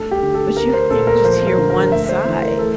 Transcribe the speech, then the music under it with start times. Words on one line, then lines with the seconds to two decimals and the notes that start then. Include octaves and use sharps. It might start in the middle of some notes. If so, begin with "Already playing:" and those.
but you can't just hear one side.
Already playing: G3 A3 D4 A4
0.11 G4
0.23 D3
0.34 A4
0.57 A3 A#4
0.73 C5
0.90 A#2 A4
1.07 A#4
1.24 F3 C5
1.47 A#4
1.58 D3
1.70 A#4
1.91 A3 E5
2.09 C5
2.25 E3
2.43 A#4
2.59 A3 A4